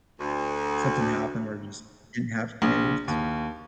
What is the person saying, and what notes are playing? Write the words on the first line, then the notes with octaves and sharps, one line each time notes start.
something happen where you just didn't have good neighbors?
D2
A#1
D#2